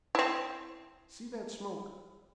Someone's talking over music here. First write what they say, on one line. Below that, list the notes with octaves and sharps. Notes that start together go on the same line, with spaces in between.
See that smoke?
C4 E4